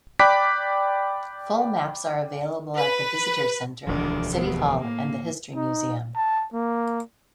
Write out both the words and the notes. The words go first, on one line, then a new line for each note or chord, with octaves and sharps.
Full maps are available at the visitor center, city hall, and the history museum.
D5 G5 B5 D6 F#6 B6
B4
E1 D2 D3 D#3 F3 D4
D#3 B3 C4
A2 A#3
D#4
A5
A#3